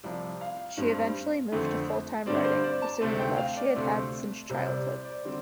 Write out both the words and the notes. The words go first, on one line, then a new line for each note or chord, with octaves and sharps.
She eventually moved to full-time writing, pursuing a love she had had since childhood.
C2 C3 F3 D5
F5
G2 G3 C4
F2 D3 A3 C4
G2 D3 G3 C4 D5
C5
D5
A5
D2 C3 A3 C4
G5
F5
D5
D2 C3 A3 C4
C2 C3 G3 C5
D5
C5
D5
D3 G3 C4